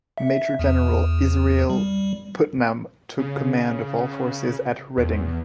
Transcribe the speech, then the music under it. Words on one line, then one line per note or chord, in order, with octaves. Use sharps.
Major General Israel Putnam took command of all forces at Redding.
E5
E2
G3
C#3
E2